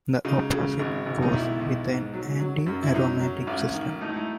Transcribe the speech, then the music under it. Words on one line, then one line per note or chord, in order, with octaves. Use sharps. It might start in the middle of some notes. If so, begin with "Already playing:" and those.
The opposite goes with an anti-aromatic system.
C#3 D#4
C#3
G#1
G#1
D#4
B1 E4
B1
G#2
F#3
F#3
F#2
E4
F#3 D#4
F#3
A1
D#3
A3 D#4
E4
D#4